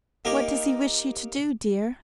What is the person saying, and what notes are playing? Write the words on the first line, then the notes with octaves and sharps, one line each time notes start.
'What does he wish you to do, dear?'
A#3 D#4 G4 A#4